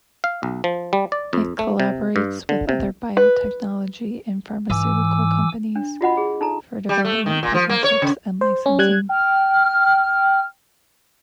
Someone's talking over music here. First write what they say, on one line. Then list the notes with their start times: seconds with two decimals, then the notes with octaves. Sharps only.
It collaborates with other biotechnology and pharmaceutical companies, for development partnerships and licensing.
0.24 F5
0.43 B1
0.64 F3
0.93 G3
1.12 D5
1.33 F2
1.59 A3
1.80 C3
2.16 G2
2.49 D3
2.69 C3
3.17 B4
4.70 G#2 E3 G#5 D6 E6
5.76 D4
6.01 F4 F#4 D#5 F#5 B5
6.17 G#4
6.41 D#4 A4 A#5
6.89 G3
7.05 A3
7.26 D#3
7.43 A#2
7.54 F3
7.69 A#3
7.84 C#5
8.02 C#3
8.41 C5
8.66 C#4
8.79 G3 F#6 G#6
9.09 G5 F6